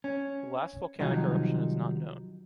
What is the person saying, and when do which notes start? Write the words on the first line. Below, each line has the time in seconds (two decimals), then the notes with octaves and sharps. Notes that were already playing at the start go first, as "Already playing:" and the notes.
The last volcanic eruption is not known.
0.04 C#4
1.00 C2 D#3 F3 F#3 D#4